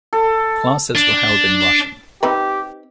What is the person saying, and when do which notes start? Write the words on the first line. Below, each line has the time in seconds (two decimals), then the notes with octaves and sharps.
Classes were held in Russian.
0.13 A4
0.95 D4
2.23 C4 D#4 G4 B4